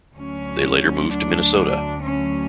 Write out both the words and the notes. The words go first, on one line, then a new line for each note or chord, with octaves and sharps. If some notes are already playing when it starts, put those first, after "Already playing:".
They later moved to Minnesota.
D2 D3 F#3 C#4
D4
C#4